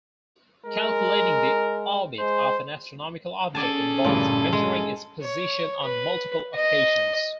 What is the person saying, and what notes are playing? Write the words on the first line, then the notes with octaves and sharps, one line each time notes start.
Calculating the orbit of an astronomical object involves measuring its position on multiple occasions.
G#3 A#4
G#3 C5
C#4 G#4 A4 D5 G#5 A5
A1 D2 G2 A#2
G#3
C#5
B4
D#5